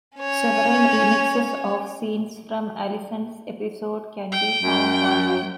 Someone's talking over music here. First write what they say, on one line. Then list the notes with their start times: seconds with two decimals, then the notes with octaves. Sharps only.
Several remixes of scenes from Allison's episode can be found online.
0.18 C#4 C#5
4.32 G5
4.63 F#2